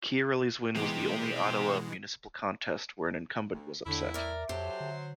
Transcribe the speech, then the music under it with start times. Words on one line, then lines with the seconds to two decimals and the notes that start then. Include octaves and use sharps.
Chiarelli's win was the only Ottawa municipal contest where an incumbent was upset.
0.75 B2 E3 G#3 C4 G4
3.51 D2
3.86 E2 A2 D3 E4
4.14 A#4 D5 E5
4.49 F2 F#3 G4 A4 C5
4.80 D3